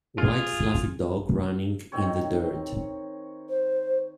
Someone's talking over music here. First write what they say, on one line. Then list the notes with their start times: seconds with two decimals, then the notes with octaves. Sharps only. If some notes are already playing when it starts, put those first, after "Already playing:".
White fluffy dog running in the dirt.
0.18 F4 G#4
1.92 D#3 C4 C#5
3.49 C5